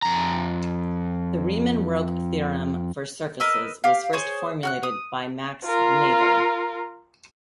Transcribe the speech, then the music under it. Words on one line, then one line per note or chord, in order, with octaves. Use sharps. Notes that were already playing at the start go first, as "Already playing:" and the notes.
The Riemann-Roch theorem for surfaces was first formulated by Max Noether.
F2 A#5
A#4 B4 D#5 E6
G4 F5
G#4 C5 C#5
F#4 F6 F#6
D#6
F4 A#4